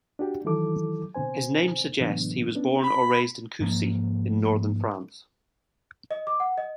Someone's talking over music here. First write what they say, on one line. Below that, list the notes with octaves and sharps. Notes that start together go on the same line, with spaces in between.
His name suggests he was born or raised in Coucy in Northern France.
D4 F#4 G4
D#3 E3 F#3 E4 A4 D6
B2 D3 C4 C5 G#5
A2 C3 E3 F#3 B3 D4
B3 C#4 D4
B5
G#2 F3 A#3
D#5
D6
F#5
D#5